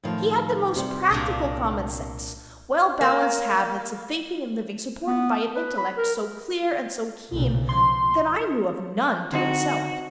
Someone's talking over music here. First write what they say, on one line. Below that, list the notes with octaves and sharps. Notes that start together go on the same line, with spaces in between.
He had the most practical common sense--well-balanced habits of thinking and living, supported by an intellect so clear and so keen that I knew of none to excel it.
A2 D#3 F3
C3 G3 C4 C5
C2 A#2 D4 D#5
A#3
B3
B4
B5
A#4
B1 A#2 C#3
F3 C6
D3 C4 D#4 F#4